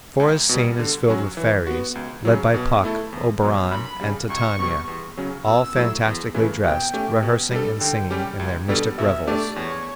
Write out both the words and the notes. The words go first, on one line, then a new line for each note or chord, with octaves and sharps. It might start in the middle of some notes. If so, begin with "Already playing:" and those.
The forest scene is filled with fairies, led by Puck, Oberon and Titania, all fantastically dressed, rehearsing and singing in their mystic revels.
C#2
B2 G3
D3
F#3 C#4 F#4
E3
B3 F#4
C#2
C#3 F#3
B2
A3 E4 A4
E2
B2 F#3
F#2 B5
C#3 G3
C#2 C#6
B2 G3
E2
C#3 F#3 C#4
B2 E6
F#3 A3 E4 A4
E2
C#3 E3 A3 E4
B2 G5
A3 C#4 G4
B2
G3 D4 A4
D3 G5
G3 C#4 G4
C#2
B2 G3 D4 A4
B2 E5
A3 D4 G4 D5
E2 C#5